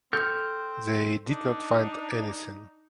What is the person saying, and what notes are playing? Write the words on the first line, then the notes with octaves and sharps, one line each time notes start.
They did not find anything.
C4 A4 F6 G6
D4 D#4